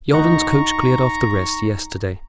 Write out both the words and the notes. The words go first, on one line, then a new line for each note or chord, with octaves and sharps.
Yalden's coach cleared off the rest yesterday.
D2 D#4 F#5 A#5 C#6